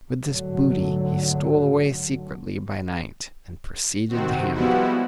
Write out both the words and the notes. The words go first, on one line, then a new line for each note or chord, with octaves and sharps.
With this booty he stole away secretly by night, and proceeded to Hamburgh.
D2 G#2 D3 F#3
C3 D#3 C4 F#4
F3 G3 G#3 B3 E4 F#4